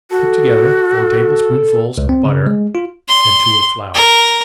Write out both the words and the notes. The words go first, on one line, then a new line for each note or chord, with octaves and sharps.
Cook together four tablespoonfuls of butter and two of flour.
F#4 A4
C#2
C4
C#3
G#3
F4
C6
A#4